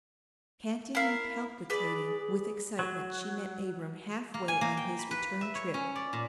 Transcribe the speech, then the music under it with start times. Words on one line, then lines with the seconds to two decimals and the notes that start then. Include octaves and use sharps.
Panting and palpitating with excitement, she met Abram half-way on his return trip.
0.95 E4 A#4 F5
1.70 G#4 B4 D5
2.79 F#3
4.34 A#3
4.48 G#5
4.61 A#3
4.77 G5
4.99 B5
5.11 B4
5.41 E5
5.55 C#5
5.74 C#4
5.96 D5
6.13 A#2